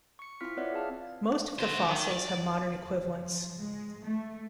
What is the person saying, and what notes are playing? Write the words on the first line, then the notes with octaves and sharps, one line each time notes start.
Most of the fossils have modern equivalents.
C#6 C#7
C4 E4 F4 F6 B6
C4 B4 C#5 D5 E5 F#5
G#4 F5 A5 F6
F#4 C5
D#3
D5
F3
G#3
A3